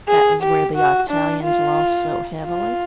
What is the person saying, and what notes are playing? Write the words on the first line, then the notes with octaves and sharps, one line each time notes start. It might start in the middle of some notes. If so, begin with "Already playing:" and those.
"That was where the Italians lost so heavily."
G#4
G4
F#4
D4
F4
F4